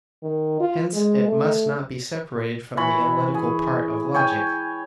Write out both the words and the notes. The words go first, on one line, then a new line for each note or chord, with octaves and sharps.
Hence it must not be separated from the analytical part of logic.
D#3
F4
G#3
A3
E3 C#5 B5
G#4
C#5 G5 G#5